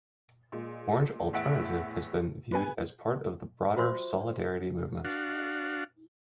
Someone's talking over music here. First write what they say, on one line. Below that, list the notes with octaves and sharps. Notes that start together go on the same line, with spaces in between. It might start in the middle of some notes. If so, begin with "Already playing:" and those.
Orange Alternative has been viewed as part of the broader Solidarity movement.
A#2 G#3
E2 A2 E5 F#5 D7
B3 B4 G#5
F4 F#4 C5 E5 C6 C#6
D4 F#4 F5